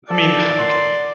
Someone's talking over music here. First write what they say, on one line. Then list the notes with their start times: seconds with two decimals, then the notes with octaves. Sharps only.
I mean, okay,
0.10 F4 A4 D5
0.59 A#4 F#5 C6